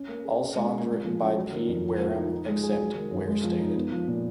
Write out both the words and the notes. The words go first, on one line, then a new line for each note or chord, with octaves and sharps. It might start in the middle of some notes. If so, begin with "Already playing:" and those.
All songs written by Pete Wareham except where stated.
Already playing: C#4
A#3
G#4
C#4
G#3
G#4
G#3
F3
C#4
F#3
D#3
F2
A#3
F3
D#4
D#4
G#3
G#4
F#3
D#3
F#2
G#3
F3
D#4
B3
F3
A#2